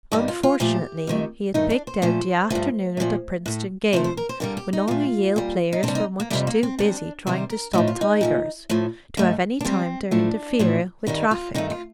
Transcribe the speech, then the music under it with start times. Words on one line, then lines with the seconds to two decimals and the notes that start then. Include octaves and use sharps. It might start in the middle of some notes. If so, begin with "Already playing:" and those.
Unfortunately he had picked out the afternoon of the Princeton game when all the Yale players were much too busy trying to stop Tigers to have any time to interfere with traffic.
0.12 G2 D#3 G3 G4
0.28 F4
0.43 F4
0.60 A#2 F3 A3 G4
1.07 F2 D#3 A3
1.54 G2 D#3 A3 D#4
1.70 D4
1.87 C5
2.02 A#2 F3 A3 C5
2.50 G2 F3 A3
2.97 A#2 F3 A3
3.46 A2 A3
3.93 C3 F3 A3 C5
4.04 C5
4.17 A#4
4.29 C5
4.40 G2 D3 G3 A#4
4.57 G4
4.73 D#4
4.88 A#2 A3 F4
5.36 A#2 G3
5.73 D#4
5.83 C3 D4
5.88 G3
5.95 D#4
6.20 A#3
6.30 F2 C3 D#3 G3 A3
6.47 A#3
6.63 C4
6.79 C3 G3 D4
7.27 C3 D#3 G3 C5
7.50 A#4
7.73 A2 F3 A3 D#4
7.88 F4
8.01 D#4
8.21 A#2 F3 A3
8.69 A2 F3 A3
9.17 G2 D#3 A3
9.61 D4
9.65 C3 G3 C4
10.11 A2 F3 A3 D4
10.59 A2 F3 A3
11.07 G2 D#3 G3 D#4
11.31 F4
11.55 G2 D#3 A3 D#4
11.70 F4